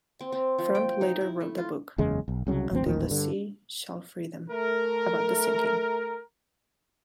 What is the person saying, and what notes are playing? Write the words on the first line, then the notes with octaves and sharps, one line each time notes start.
Frump later wrote a book, "Until the Sea Shall Free Them", about the sinking.
C4
C4
F3
G5
D#4
E4
A3
F4
F#1 E2 C#3 G#3
B1
C2 C#3 F#3
G#1 D2 C4
D#1 A1 D#2 D#3
G2 D3
A3 A#4